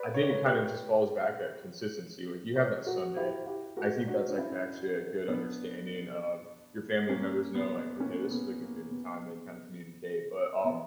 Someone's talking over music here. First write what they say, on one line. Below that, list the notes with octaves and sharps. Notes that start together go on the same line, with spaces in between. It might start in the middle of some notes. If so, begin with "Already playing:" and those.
I think it kind of just falls back at consistency, like, you have that Sunday. I think that's, like, actually a good understanding, um, your family members know, like, okay, this is, like, a good time they kinda communicate. But, um,
Already playing: B4 D5
C#5
D5
A#4 C#5
G4 B4
A#4 C#5
F#4 A#4
E4 G4
E4 G4
F#4 A#4
D4 F#4
D4
C#4 E4
B3 D4
A#3 C#4
B3
A#3 C#4
B3
A#3
B3
B3